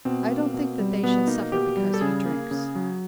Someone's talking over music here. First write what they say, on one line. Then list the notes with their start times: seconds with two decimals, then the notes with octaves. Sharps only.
"I don't think they should suffer because he drinks."
0.05 B2 C4
0.30 A#3
0.54 B2
0.79 G3
1.03 B2 B3
1.27 A#3 D#4
1.52 B2 G4
1.77 G3
1.94 A4
2.01 C#3 G#4
2.25 A#3
2.51 C#3
2.75 F#3